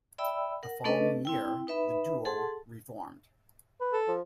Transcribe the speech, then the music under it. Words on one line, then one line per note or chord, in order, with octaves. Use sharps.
The following year, the duo re-formed.
D5 E5 G5 B5 E6
A#4 F#5
A3 C#4 D4 A4 B4 D#5
C4 E4 G5
D#4 B4 E5 B5
G#4 A4 F#5 A5 C6
B4
A4
F3